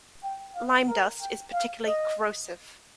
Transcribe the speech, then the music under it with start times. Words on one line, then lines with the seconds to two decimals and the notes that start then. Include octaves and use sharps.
Lime dust is particularly corrosive.
0.23 G5
0.55 F5
0.88 A#4
1.21 G5
1.53 F5
1.86 D#5